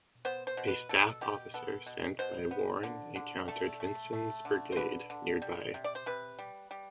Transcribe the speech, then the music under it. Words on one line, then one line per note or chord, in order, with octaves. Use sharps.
A staff officer sent by Warren encountered Vincent's brigade nearby.
B3 C5
C5
B2
B4
B2 A4
B2 G4
B3 A4
B2
B2 C5
B3
D3
D3
A3 A4
A3
A3
D3
C5
D3 B4
D3
G3
C3
D5
C5
C3 B4
G3
G3